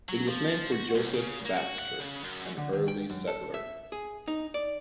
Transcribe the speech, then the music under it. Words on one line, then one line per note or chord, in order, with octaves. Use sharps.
It was named for Joseph Baschor, an early settler.
F#3
F3
F#4
C2
C#3
A#3
F#4
F#5
C#3
F#2
D3
D#3
G5
F#2
A4
E5
G#4
D#4
D5